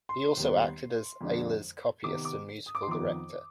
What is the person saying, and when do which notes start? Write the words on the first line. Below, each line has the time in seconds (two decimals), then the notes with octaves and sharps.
He also acted as Ayler's copyist and musical director.
0.09 C6
0.37 D#2 D#3 G3 B3
1.21 F2 D3 G#3 D4
2.04 C3 D#3 B3 D6
2.25 D6
2.66 D#6
2.75 D6
2.83 C6
2.87 F2 D#3 B3 F4 D6